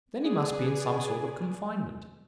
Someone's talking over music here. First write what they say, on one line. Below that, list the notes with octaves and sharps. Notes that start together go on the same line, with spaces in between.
Then he must be in some sort of confinement.
G#4 B4 D5 G#5